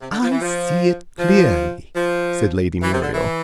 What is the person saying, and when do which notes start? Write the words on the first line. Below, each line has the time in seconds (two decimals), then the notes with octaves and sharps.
"I see it clearly," said Lady Muriel.
0.01 C3
0.11 D3
0.21 F3
0.30 E3
0.41 F3
1.18 F3
1.95 F3
2.82 E3
2.92 C3
3.02 D3
3.12 E3